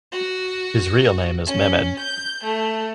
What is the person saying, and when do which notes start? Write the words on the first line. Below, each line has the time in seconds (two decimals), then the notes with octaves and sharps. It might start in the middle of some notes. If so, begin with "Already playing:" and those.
His real name is Mehmed.
0.12 F#4
1.46 C#4
1.99 G6
2.43 A3